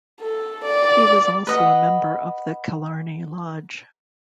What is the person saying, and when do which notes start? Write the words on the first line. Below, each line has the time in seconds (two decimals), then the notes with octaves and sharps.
He was also a member of the Killarney Lodge.
0.21 A4
0.64 D5
1.47 B4 D#5 F#5